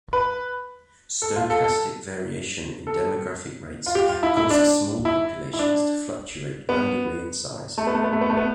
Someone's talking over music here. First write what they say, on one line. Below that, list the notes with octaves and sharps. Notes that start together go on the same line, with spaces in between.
Stochastic variation in demographic rates causes small populations to fluctuate randomly in size.
B4
A4
F4
A4
A4
A4
F4
G4
F4
E4
E4
D4
E4
E4
D4
B3
A3
B3
A3
B3
A3
B3
A3
B3